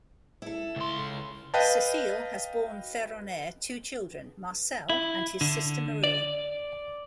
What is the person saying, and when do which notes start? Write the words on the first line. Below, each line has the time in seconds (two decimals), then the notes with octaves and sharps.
Cecile has borne Ferronaire two children, Marcel and his sister Marie.
0.42 E4 A4
0.76 C#2 C6
1.54 B4 D#5 F5 G5 A5
4.89 E4
5.41 D3
6.04 D5